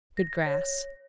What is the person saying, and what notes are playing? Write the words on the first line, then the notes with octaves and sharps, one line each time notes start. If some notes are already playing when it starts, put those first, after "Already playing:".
Good grass.
A#6
C#5